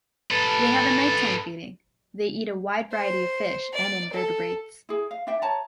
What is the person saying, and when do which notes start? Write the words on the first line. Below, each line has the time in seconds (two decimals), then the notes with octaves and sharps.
They have a nighttime feeding, they eat a wide variety of fish and invertebrates.
0.31 A4 B4
2.92 C5
3.74 D5
4.13 A4
4.89 E4 G#4
5.11 F5
5.27 D4 E4 E5 G5
5.42 C#5 A5 A#5